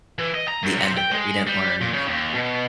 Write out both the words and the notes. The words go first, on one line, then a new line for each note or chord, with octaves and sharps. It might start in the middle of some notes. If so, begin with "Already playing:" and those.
the end of it. We didn't learn,
E3
D#5
A#5
F#2
C3
G5
G#3
G3
A#2
C#3
D#2
B2